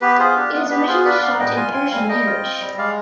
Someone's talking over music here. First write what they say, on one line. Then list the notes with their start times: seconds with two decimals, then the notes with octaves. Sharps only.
It is originally shot in Persian language.
0.01 B3 G4 B4
0.19 F4 G#4 C5
0.36 D4 G4
0.54 B3
0.70 B3 G4 B4
0.87 F4 G#4 C5
1.05 D4 B4 D5
1.22 B3 D5 F5
1.40 G3 D#5 G5
1.56 F4 G#5 C6
1.73 C4 G#5 C6
1.91 G3 F5 G#5
2.08 G3 D#5 G5
2.26 F4
2.44 C4
2.61 G3
2.77 G#3 D5 F5